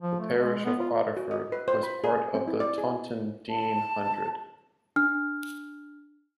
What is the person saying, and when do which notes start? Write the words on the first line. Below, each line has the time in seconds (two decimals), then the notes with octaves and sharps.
The parish of Otterford was part of the Taunton Deane Hundred.
0.02 F3
0.20 A3
0.38 G#3
0.65 B3
0.80 F4
1.17 F#4
1.31 D#5
1.52 B4
1.68 C5
1.83 B5
2.04 G#4
2.35 C4
2.48 E4
2.60 D5
2.78 G#4
3.50 A5
4.96 D4 F6